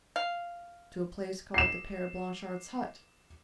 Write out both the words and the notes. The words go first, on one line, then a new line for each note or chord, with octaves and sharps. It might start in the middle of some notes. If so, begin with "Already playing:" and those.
"To a place called the Pere Blanchard's hut?"
F5
C7 E7